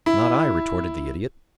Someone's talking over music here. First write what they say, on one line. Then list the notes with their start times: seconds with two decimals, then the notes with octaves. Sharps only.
"Not I," retorted the Idiot.
0.06 E4